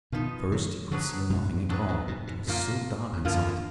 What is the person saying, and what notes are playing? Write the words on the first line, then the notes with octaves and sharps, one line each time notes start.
At first he could see nothing at all, it was so dark inside.
B2 D#3 F3 B3 D#4
D#3 F#3
D3 F3 F#3 D4 G#4 B4
G#2 B2
F2 G#2 F#3 D4 G#4 B4
F#2 A#2
G#2 B2
G#2 B2
F#2 A#2 D3 F3 A#3 F4
F2
F#2 D3 F3 A#3 F4